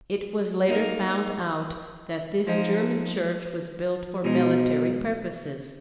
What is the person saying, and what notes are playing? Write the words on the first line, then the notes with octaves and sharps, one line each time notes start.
It was later found out that this German church was built for military purposes.
A#3 D#4 A#4
F3 G#3 D#4
B2 G#3 D#4